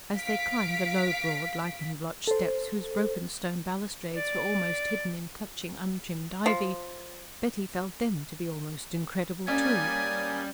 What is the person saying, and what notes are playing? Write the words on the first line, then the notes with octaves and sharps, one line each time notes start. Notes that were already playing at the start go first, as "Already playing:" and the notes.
As they climbed the low, broad, lichen-blotched steps, whose broken stone balustrades were almost hidden in clutching, untrimmed ivy, Betty felt them to be almost incredible, too.
F5 B6 D7
A4 C5
D5
F3
G3 A#3 C#4 D5 G#5 D#6